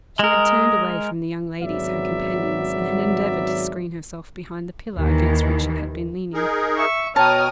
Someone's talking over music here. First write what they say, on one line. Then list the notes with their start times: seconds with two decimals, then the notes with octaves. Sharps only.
She had turned away from the young ladies her companions, and had endeavoured to screen herself behind the pillar against which I had been leaning.
0.19 G#3 A#4 D#5
1.61 G#1 C#3 F#3 B3 D5 E5
4.97 D#2 D#3 E3
6.34 D#4 G#4 A#4
6.76 E5 C#6
7.16 B2 C#5 G5 A5 A#5 D#6 F6